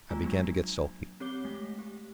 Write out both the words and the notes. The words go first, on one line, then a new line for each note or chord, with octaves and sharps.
I began to get sulky.
G#3 F4 G#5 A#5
F#3 A#3 D4
C4 G4 C#5 D6 G7
G#3 A3
G4